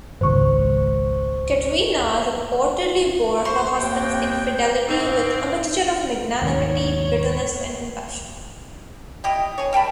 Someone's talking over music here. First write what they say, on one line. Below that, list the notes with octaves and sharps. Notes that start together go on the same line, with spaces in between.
Katerina reportedly bore her husband's infidelity "with a mixture of magnanimity, bitterness, and compassion".
G#1 C#2 C5 C#6
C5 C6 C#6
D#2 G5
G#2 C4
D#2 G#2 B2 C#5
E4 G4 D#5
G#4 C#5
G3 G5 A5 B5